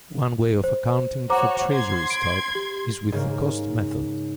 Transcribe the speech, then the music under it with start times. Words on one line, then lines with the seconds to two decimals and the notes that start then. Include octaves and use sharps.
One way of accounting for treasury stock is with the cost method.
0.64 C5
1.30 F#4 C5 C#5 A#5 D6
1.72 C6 G#6
2.10 D7
2.55 G4
3.12 G#2 C#3 A#3